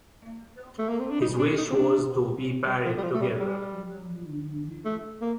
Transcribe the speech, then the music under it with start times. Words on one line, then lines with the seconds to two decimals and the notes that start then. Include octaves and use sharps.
His wish was to be buried together.
0.79 A3
0.89 A#3
1.00 C4
1.10 D4
1.22 D#4
1.39 D4
1.58 D#4
1.70 C4
1.76 D4
2.67 G3
2.85 F3
2.98 G3
3.03 F3
3.14 A3
3.22 G3
3.39 G3
4.85 A3
5.22 A#3